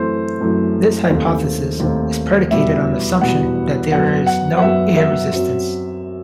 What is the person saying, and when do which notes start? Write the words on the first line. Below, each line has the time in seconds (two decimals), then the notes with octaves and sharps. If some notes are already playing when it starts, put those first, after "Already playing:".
This hypothesis is predicated on the assumption that there is no air resistance.
Already playing: F#2 E3 A3 C4 C5
0.40 F#2 E3 A3 C4
1.10 D#2 D#3 A3 C4
1.80 D#2 D#3 A3 C4
2.50 E2 B2 G3 B3 E5
3.21 E2 B2 G3 B3 F#5
3.92 F#2 F#3 B3 F#5
4.27 F#5
4.57 F#5
4.61 F#2 F#3 B3 E5
4.96 E5
5.31 F#2 F#3 C4